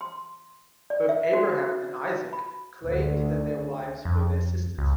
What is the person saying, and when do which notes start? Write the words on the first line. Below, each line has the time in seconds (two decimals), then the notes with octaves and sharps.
Both Abraham and Isaac claimed that their wives were their sisters.
0.01 C6
0.90 D5
1.09 E5
1.33 F#4
1.53 F#4
2.33 B5
2.85 D2
4.05 F2
4.78 C#2